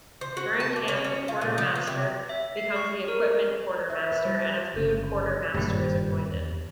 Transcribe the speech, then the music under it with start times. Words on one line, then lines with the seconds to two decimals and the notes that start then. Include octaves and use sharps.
During camp, the quartermaster becomes the equipment quartermaster, and a food quartermaster is appointed.
0.21 C5
0.37 F#4
0.60 A5
0.76 A#3
0.88 C#4
1.04 C#4
1.28 F4
1.41 A#2
1.58 F3
1.75 B3
1.87 C3
2.29 E5
2.57 C7
2.76 C#6
3.08 A#4
3.90 E5
4.12 B4
4.25 G3
4.74 G1 C#3
5.54 F#1 G2 A#2 D#3 G3
6.30 E2